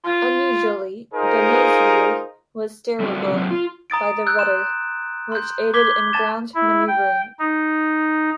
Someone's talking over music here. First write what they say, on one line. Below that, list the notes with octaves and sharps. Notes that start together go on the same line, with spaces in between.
Unusually, the nosewheel was steerable by the rudder, which aided in ground maneuvering.
F4
D#4 F4 G#4 A#4 C5
G3 A3 C4 D4 F#4
C3 F#3 C4
F4
A#5 D#6 A6 D7
E6 F#6 G6
C6 E7
C6 G6
D6 G#6 B6 G7
A5 A6 E7
E4
G5
D#4